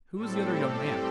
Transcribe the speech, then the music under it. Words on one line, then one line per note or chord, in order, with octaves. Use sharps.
"Who is the other young man?"
A2 G3 C4 A4
G4